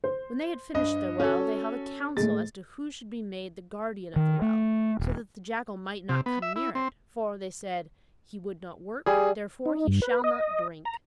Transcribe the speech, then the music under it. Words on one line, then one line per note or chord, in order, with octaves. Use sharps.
When they had finished their well, they held a council as to who should be made the guardian of the well, so that the jackal might not come near it, for, they said, 'he would not work, therefore he shall not drink.'
C5
G2 D#5
C#4 F#4 A4 C#5
A2 G#3 A6
D#3
A3
D#1
C3
B3
E5
E4
C4
G3 G#4 G#5
D#4
G2
B4
D#5
A#5